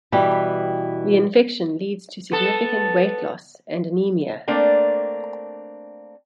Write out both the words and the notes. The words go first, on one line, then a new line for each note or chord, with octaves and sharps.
The infection leads to significant weight loss and anaemia.
B2 E3 G3 G4
B3 A4
A3 A#3 C4 D4